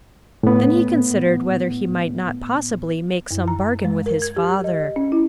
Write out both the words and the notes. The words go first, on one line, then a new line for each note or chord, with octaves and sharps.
Then he considered whether he might not possibly make some bargain with his father.
A2 B3
F#2
A#5
G#3
A#4
G#6
G4
D#5
C#4
E4